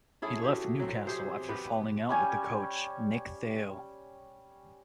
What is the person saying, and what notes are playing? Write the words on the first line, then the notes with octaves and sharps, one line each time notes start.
He left Newcastle after falling out with the coach Nick Theo.
C#4 E4 G#4 A4
F#4 G4
F#3 C4
C3 G4 G#4 C5
B3 G4
G3 C#4 G#5